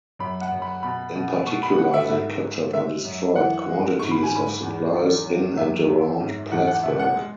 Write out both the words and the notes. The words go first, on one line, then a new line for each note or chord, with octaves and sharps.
In particular, they captured or destroyed quantities of supplies in and around Plattsburgh.
F#2 B5
F#5
F#2
B5
B2 B5
B2
B2 C#6
B5
G#3 F#5
E5
G#2 E5
G#3
G#3 E5
F#2
E3 F#5
G#3
G#2 C#6
B5
G#5
G#2 B5
E2
E2
F#3
F#2 E5
F#3
G#2
E2 F#5
F#5
B2 E5
F#5
G#3